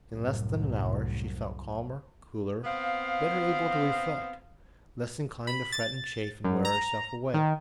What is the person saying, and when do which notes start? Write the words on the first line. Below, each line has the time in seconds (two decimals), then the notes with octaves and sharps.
In less than an hour she felt calmer, cooler, better able to reflect--less inclined to fret and chafe and wear herself away.
0.12 C2 F#2 A2
2.64 B3 C4 F5
5.47 B5
5.72 A6
6.44 F#2
6.65 A#5
7.34 D#3